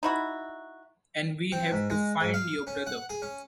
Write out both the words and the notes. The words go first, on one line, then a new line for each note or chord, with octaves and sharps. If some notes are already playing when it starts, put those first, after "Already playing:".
And we have to find your brother.
D#4 E4 F#4
C4
G#2
G#3
G#2
F5
C#4
F#5
G#4
C#4